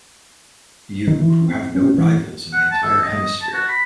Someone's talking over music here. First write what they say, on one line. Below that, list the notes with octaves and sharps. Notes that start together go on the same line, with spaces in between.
You, who have no rivals in the entire hemisphere!
D#3
E3
C4
C#4
E3
F#5
A5
A4
D#5
A5
F#4
B5